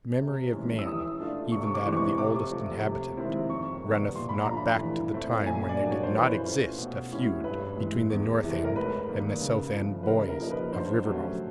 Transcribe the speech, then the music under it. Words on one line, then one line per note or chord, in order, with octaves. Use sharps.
The memory of man, even that of the Oldest Inhabitant, runneth not back to the time when there did not exist a feud between the North End and the South End boys of Rivermouth.
C3
E3 G#3 C#4
E6
E3 D#6
A3 D4 F4
C3 C#6
C#6
D6
E3 G#3 C4
C#6
C3 D6
F3 A3
C3
D#3 G#3 C4 E4
F2 C#6
C3 D#3 G3 B3
A#2 C6
B5
A#5
F3 A3 D4 F4
B5
E3
A3 C4 E4
A#2 G#5
D5
F#3 A#3 D4
C#5
C5
E3 B4
C5
A3 C#4 F4
B2
G#3 C#4 E4
G2 B4
E3 G#3
E2
C3 E3 A3
A#4
G#2 B4
D#3 G3 A#3
C#3
F3 A3
B4
C#3 A#4
A#4
F3 A#3 D#4
B4
D3 C5
F#3 A3 C#4